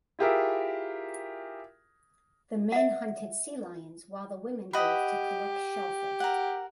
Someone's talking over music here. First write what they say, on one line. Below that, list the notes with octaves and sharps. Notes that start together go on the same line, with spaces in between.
The men hunted sea lions while the women dove to collect shellfish.
E4 F4 G4 G#4 A#4 E5
E5 F#5
G4 D#5 F#5 B5
A#4 F#5